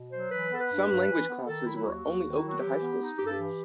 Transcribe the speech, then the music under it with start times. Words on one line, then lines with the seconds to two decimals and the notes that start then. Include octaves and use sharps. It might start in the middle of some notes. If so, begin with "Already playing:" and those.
Some languages classes were only open to high school students.
Already playing: B2
0.12 F#3 C5
0.31 E3 B4
0.50 B3 A4
0.59 B4
0.70 G2
0.88 G2
1.07 E3
1.26 B3
1.46 D#3 A4
1.65 F#3 E4
1.76 E4
1.84 D#2 F#4
2.04 D#2
2.22 D#3
2.35 E4
2.42 F#3
2.48 F#4
2.60 E3 G4
2.80 B3
3.00 D#4
3.18 G2 G4
3.26 A4
3.32 E3 G4